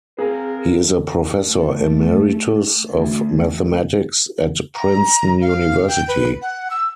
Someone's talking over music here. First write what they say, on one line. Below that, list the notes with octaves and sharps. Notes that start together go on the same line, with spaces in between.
He is a professor emeritus of Mathematics at Princeton University.
C4 G#4 A#4 F5 A#5
A3
D2
A#5
F5
G5
B4
F#5
E6